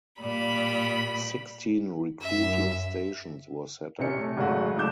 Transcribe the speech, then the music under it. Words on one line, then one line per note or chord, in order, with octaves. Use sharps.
Sixteen recruiting stations were set up.
A#2 G3 B5
F#2 E5
C3 C#4 C#7
C3 A3
G#1 G#2 C#3 F#3 A3 F#4
F#1 A3 D6 G6 E7